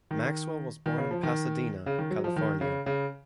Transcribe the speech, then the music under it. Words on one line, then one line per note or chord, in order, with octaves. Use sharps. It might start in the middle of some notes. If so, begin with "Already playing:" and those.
Maxwell was born in Pasadena, California.
D#3
D#3
C#3
F3
D#3
C#3
D#3
F#3
F3
D#3
C#3
C#3